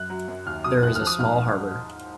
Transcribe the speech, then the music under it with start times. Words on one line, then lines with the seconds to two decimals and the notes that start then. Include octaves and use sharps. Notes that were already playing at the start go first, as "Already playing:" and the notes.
There is a small harbour.
Already playing: F#2 F#6
0.10 F#3
0.28 F#2
0.46 D#2 F6
0.64 F#3 D#6
0.82 D#2 F#6
0.95 F6
1.01 F3
1.07 D#6
1.19 G#2 F6